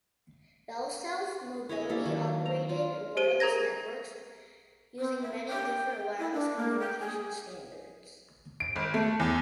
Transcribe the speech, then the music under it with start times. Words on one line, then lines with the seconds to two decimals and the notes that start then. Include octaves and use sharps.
BellSouth Mobility operated wireless networks using many different wireless communication standards.
1.69 E4 C#5 D#5 G#5
1.89 G3 A#3 E4 A4
2.05 D#3 F#3
2.46 A#5
2.69 F4
3.17 G4 C5 D#7
3.40 G#4 A#4 A#5 G#6 A#6
4.99 C4
5.22 E5
5.47 G5
6.19 E4
6.32 D4
6.56 A#3
6.80 G5
7.00 G#4
8.60 D7
8.76 G#1
8.94 A3
9.20 E2